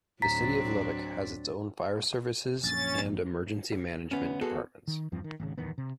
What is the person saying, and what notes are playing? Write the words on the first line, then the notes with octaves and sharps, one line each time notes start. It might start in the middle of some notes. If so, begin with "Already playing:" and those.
The City of Leduc has its own fire services and emergency management departments.
D2 A2 F#3 C4 D4 A#5 A6 B6
A#1 F#2 C#4 A6
D2 B3 C#4
B3 F#4 G#4 A4
D#3
E2 G2 F3 C4
D#3
G#1 C#3
D1 E2 D#3 B3
C3